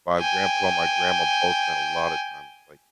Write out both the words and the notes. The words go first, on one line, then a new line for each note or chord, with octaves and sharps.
my grandpa and my grandma both spent a lot of time just, like,
G5 G#5